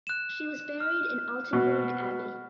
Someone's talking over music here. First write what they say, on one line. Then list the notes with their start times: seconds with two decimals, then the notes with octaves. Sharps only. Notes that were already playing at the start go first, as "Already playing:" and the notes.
She was buried in Altenberg Abbey.
0.07 F#6 E7
0.80 F6
1.53 B2